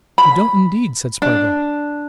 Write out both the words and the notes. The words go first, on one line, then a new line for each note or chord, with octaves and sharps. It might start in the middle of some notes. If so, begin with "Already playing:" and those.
"You don't, indeed!" said Spargo.
B5
D4